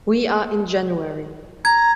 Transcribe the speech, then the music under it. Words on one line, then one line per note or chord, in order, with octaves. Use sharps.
We are in January.
A#5 G#6